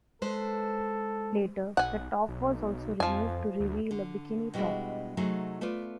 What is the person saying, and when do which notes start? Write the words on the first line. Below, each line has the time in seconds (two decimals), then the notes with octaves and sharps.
Later, the top was also removed to reveal a bikini top.
0.22 G#3 A4 B4 C5
1.77 B1 F#5 G#5
2.28 B1
3.00 F2 F3 G#5
3.60 D2
3.91 D3
4.54 B2 G3 G#3 D4 E4 F#4
5.17 C3 F#3 A3 D#4 F#4 G#4
5.61 A3 B3 F4 B4 D5